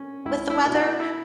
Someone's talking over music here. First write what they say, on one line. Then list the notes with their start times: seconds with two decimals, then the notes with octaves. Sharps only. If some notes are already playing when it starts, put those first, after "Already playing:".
with the weather.
Already playing: C#4
0.25 C#2 E4
0.50 E4
0.63 B2 A#3 E4
0.75 F#4
1.00 E4